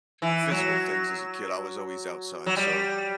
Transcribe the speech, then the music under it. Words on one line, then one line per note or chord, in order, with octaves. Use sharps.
physical things as a kid, I was always outside, so,
E3
F#3
F#3
G3